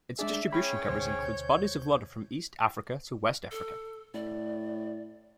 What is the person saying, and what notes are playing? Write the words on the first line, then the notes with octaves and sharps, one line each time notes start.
Its distribution covers includes bodies of water from East Africa to West Africa.
G#3 D4 G#4 D5 E5
C#4 G#4 C#5 G5 B5
D2 B2 C5
G6
A4
A2 D5